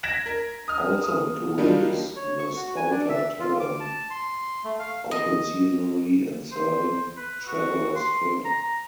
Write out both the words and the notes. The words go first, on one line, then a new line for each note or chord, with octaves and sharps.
Also included is The Spouter Tavern, open seasonally and serving "travelers' fare".
G#6 A#6 B6 D7 E7 F#7
A#4
D#6 F6
D#6
D#3 F#3 G3 A#3 D4 F4
C#5
C#6
F#4
G#5
D4
E5
F4
D6
A5
C6
A3
F5
D#5
C5
B4
F#4
C6
A#5